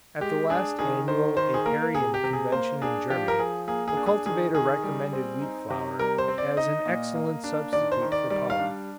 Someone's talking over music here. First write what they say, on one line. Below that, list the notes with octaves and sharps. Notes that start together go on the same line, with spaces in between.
At the last annual Apiarian Convention in Germany, a cultivator recommended wheat flour as an excellent substitute for pollen.
G#3 G4
D4 G#4
D#3 G#4
D#3 C5
D#3 C5
G#4
A#3 A#4
C3 G#4
G4
C3
G#4
A#3 C5
D4 G#4
F3 G4
A#4
F3 G#4
A#3 G#4
G#4
D4
G#4
D#3 G#4
D#3 G#4
G3
C4
D#4
C3
G3 A#4
C5
C4
D5
D#4 D#5
A#2
A#3
D4
D#3 D5
C5
D#3
D5
G3 D5
F5
D4